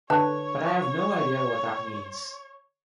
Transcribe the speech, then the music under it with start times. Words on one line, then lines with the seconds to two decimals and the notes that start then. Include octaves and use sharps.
But I have no idea what that means.
0.10 D3 B4 C#5 A5